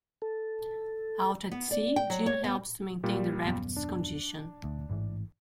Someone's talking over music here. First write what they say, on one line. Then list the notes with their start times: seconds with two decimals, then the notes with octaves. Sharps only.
Out at sea, Jin helps to maintain the raft's condition.
0.22 A4
1.51 B3
1.71 D5
1.96 G5
2.10 F#3
2.26 C#5
2.44 B3
3.03 A#2 G3
3.45 D#1 F#2 B3
3.77 D4
4.64 D2
4.90 A1 G#2 E3